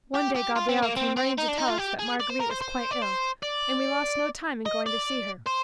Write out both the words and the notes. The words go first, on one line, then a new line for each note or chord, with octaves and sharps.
One day Gabriel came running to tell us that Marguerite was quite ill, and we lost no time in going to see her.
G4
G4
F4
C4
A#3
C4
C4
D#4
D4
D#4
F4
G4
G#4
D5
C5
A#4
C5
C5
D5
C5
D5
D#5
D5
C5